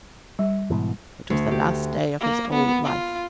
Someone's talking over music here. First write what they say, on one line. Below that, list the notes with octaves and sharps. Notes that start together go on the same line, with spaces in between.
It was the last day of his old life.
G3
G#2 B2 E3
D2
G4
A#3
B3
F4